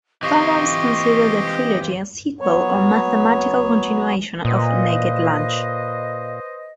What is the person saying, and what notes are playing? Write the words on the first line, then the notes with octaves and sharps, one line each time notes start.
Burroughs considered the trilogy a "sequel" or "mathematical" continuation of "Naked Lunch".
E3 C4 F4 G4 D#5 C#6
F#3 B3 C#5
A#2 B4 C5 D#5